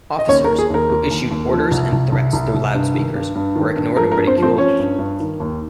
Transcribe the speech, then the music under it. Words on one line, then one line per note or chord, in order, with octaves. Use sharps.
Officers, who issued orders and threats through loudspeakers, were ignored and ridiculed.
D#5
D#2 C#4 C#5
A#4
D#2
G#4
D#2 A#4
D#2
D#2
D#2
F3
C2
C2
C2
C2
C2
G2
D#3
G2
G2
D#3
G2
F3 A#4
A#4
G2
C4 C5
F3
C4 C5
F3 C#4 C#5
G2
G2
D#3
D#2